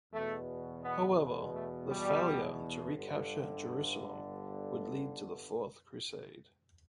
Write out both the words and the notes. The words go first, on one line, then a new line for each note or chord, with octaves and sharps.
However, the failure to recapture Jerusalem would lead to the Fourth Crusade.
E2 B2 A3
B3
A3
G3
G1 G2 D3